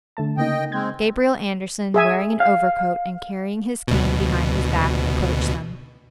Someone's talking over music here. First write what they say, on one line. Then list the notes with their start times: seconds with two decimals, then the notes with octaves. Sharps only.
Gabriel Andersen, wearing an overcoat and carrying his cane behind his back, approached them.
0.17 D3 A3 A5
0.37 C#3 A#3 D#4 D#5 G5
0.72 G#3 C4 G6 G#6
1.94 G#4 E5 G#5
2.40 F5
3.88 D2 B2